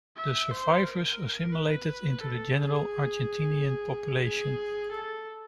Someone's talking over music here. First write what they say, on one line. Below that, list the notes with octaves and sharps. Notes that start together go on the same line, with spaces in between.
The survivors assimilated into the general Argentinian population.
E5
C5
A#4
B4
A4
G#4
G#4
A4